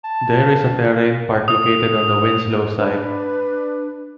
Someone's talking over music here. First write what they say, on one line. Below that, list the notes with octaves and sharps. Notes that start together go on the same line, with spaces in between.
There is a terrain park located on the Winslow side.
A5
D#6
D4 B4